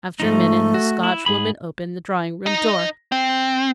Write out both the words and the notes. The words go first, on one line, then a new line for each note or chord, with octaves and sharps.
After a minute the Scotchwoman opened the drawing-room door.
G#2 F3 A3 D#4
F#4
E4
G#2 G#4 B5
D#4 D#5
C4